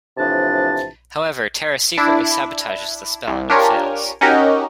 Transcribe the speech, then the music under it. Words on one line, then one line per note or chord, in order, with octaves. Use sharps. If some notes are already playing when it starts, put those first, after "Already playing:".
However, Tara secretly sabotages the spell and it fails.
A2 C3 E3 F3 D4 A5
D4 E4
C2
D4 F4 G4 A#4 C#5 G#5
C#4 D#4 F#4 G4 A#4 D#5